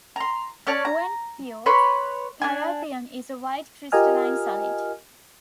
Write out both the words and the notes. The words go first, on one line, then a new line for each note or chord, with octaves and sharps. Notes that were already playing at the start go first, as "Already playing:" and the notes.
When pure, parathion is a white crystalline solid.
A#5 C6
C#4 C#5 D5 A5
A#5
B4 C#5 B5 C6
D4 G#5
F4 G4 A#4 D#5 G#5 F6